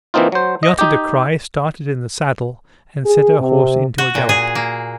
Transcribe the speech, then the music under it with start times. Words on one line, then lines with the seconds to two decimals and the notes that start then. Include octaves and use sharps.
She uttered a cry, started in the saddle, and set her horse into a gallop.
0.14 E3 A#3 C4 D#4 F4
0.32 F#3 C5
0.63 D#5
0.79 D#4 G4
3.05 G#4
3.39 C3
3.98 F#4
4.15 A#2
4.29 G#4
4.55 A#3